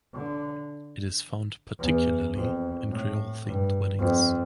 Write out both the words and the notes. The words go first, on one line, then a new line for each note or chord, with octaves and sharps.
It is found particularly in Creole-themed weddings.
D3
E2
F2
A2
G2
F2